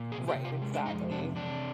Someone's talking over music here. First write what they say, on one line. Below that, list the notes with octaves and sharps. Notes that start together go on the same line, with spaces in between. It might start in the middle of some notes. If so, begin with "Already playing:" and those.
right, exactly.
Already playing: A#2
C3 G#4
G4
C3
F4
G#3
D4
F2 D#4
C3 D4
C3 D4